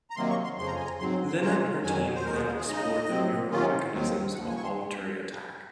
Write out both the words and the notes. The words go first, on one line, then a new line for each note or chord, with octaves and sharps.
Lin and her team then explored the neural mechanisms of voluntary attack.
A#5
C3 D#3 F#3 A#3 C6
C#6
C6
F2 C#3 F3 C6
A#5
G#5
A#5
G#2 F#3 C4 C6
C6
C3 F#3 C#4 F4 A#5
F2 D#3 F#3 G#5
C5
D#2 D#3 G#3 A#4
G#4
F4
G#4
C#3 G#3 D#4 D#5
C3 F#3 C4
C3 D#3 F#3 C#4 F4
D#2 D#3 F#3 C4
D#2 C#3 F3 F#5
G#5
C#6
C6